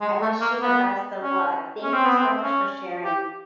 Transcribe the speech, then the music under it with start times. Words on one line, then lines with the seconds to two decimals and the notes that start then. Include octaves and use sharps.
I wish you the best of luck. Thank you so much for sharing,
0.01 G#3
0.22 A3
0.41 A#3
0.62 B3
1.23 C#4
1.83 C#4
1.93 C4
2.05 B3
2.17 C4
2.43 C#4
3.04 G4